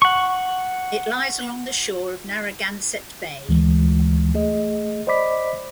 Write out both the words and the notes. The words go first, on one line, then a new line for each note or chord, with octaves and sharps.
It lies along the shore of Narragansett Bay.
F#5 C#6
D2 E3 G#3
A3 G#4 D#5
C5 D5 D#5 B5 D6 B6